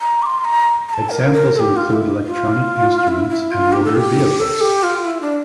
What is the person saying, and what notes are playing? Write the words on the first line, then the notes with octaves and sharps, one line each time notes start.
Examples include electronic instruments and motor vehicles.
A#5
D6
C6
A#5
A#5
A5
A#4
A#4
A4
G4
F4
E4
F4
E4
E4
F4
G4
A4
G4
A4
G4
F4
E4
D4